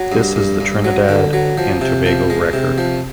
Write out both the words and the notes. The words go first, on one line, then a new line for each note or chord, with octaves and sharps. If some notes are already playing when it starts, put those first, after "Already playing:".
This is the Trinidad and Tobago record.
Already playing: F#3
G2
G2
G2
F#3
D3
F#3
F3
C3
F3
G#3
C3
F3